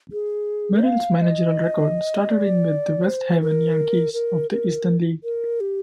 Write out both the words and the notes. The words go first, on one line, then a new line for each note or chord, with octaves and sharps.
Merrill's managerial record started in with the West Haven Yankees of the Eastern League.
G#4
F5
D#5
D5
C5
A#4
A#4
A#4
A#4
G4